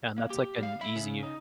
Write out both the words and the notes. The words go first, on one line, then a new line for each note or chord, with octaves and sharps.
And that's like an easy
A#3
G4
G3 F5
E5 B5
C#3
D#4